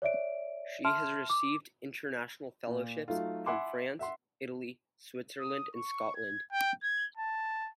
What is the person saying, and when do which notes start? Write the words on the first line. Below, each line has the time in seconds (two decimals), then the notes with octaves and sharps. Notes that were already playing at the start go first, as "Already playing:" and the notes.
She has received international fellowships from France, Italy, Switzerland, and Scotland.
0.02 C#5 D5 E5 D7
0.85 E5 A5 C6 F6
1.30 D6
2.67 A#2
3.08 F#3 A3 D#4 F4
3.46 E5 F#5 G#5 B5 C6 D6
3.99 E5 F#5 C6
5.40 D#6
5.75 C#6
6.15 G#6
6.52 G5
6.83 G#6
7.17 A5